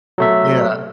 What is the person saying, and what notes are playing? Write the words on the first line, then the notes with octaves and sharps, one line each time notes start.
Y yeah,
F#3 A3 E5